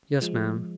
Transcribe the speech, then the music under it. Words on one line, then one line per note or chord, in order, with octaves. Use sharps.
'Yes, ma'am.
F3 G#3